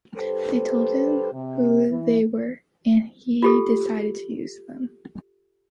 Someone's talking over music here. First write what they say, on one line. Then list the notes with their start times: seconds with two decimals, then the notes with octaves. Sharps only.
They told him who they were, and he decided to use them.
0.17 G2 G4 A4 B4 C5
1.33 C3
1.89 E3
3.43 F4 G4 A4